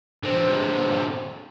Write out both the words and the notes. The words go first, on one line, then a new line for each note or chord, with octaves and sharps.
Living in the now.
D3 C4